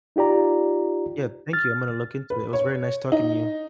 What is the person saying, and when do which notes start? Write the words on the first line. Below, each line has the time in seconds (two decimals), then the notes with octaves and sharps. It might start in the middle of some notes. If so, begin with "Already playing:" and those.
Yeah. Thank you, I'm gonna look into it, it was very nice talking to you.
0.16 D#4 F4 G4 D5 A#5
1.53 F6 A6
2.30 B4
2.53 C#5
3.12 D#4